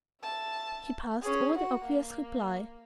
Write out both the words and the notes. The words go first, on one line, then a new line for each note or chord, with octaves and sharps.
He passed over the obvious reply.
E5 A5
C#4 G#4
F#4 F#5
A#3